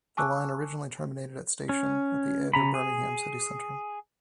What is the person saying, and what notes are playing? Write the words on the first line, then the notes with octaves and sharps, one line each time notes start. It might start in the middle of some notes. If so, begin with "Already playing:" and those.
The line originally terminated at station at the edge of Birmingham City Centre.
G#5 A5 C#6 D6 E6 F#6
C#4
C#3 A#5 B5
G#4